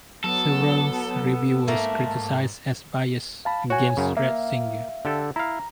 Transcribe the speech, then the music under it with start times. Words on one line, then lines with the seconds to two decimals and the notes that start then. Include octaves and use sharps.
Several reviewers criticized as biased against Ratzinger.
0.24 F#3 B3 A4
1.68 G#2 A3 A#3
3.45 F5 A5 B5
3.70 F#4 C#5 G#5
3.97 F#2 C#3
4.17 A#3 E5 F5
5.05 D3 G4 A4
5.36 E4 F5 A#5